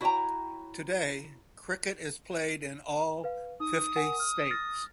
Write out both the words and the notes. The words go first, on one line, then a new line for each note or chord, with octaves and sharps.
Today cricket is played in all fifty states.
E4 F#4 C#5 D5 G5 A#5
B4 F5
D#4 D#6
A#4 F#5 G#5
F6
F6 A6 A#6